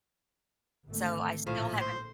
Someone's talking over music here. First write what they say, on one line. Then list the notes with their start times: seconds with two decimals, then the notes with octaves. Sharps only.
so, I still haven't
0.88 G#1 D3 A3
1.47 A#1 A2 F3
1.81 C5